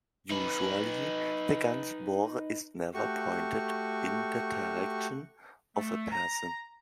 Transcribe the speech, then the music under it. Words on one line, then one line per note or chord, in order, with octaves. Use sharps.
Usually the gun's bore is never pointed in the direction of a person.
D#4 B4
A3 F#4 G4 C#6
A3
A#5